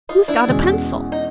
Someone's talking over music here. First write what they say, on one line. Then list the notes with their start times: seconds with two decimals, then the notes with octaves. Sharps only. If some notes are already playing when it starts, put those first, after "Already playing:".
Who's got a pencil?'
0.09 D#4 F4
0.28 D4 E4
0.47 E2 B2 G#3 C#4
1.12 D#4